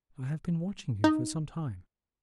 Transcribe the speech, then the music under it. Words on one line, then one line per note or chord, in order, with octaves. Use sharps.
"I have been watching you for some time."
D#4